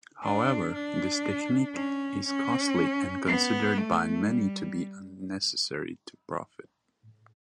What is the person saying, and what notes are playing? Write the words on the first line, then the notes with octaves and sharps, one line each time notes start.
However, this technique is costly and considered by many to be unnecessary to profit.
D4
D4
C#4
C#4
B3
A3
G3